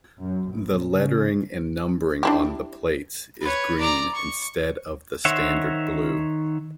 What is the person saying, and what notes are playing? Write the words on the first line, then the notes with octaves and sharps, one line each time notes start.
The lettering and numbering on the plates is green instead of the standard blue.
F#2
A#1
C#3
D4 E4 G4
B4 C#5
D5 A#5
C#6
D#3 C5 C#5 E5 F#5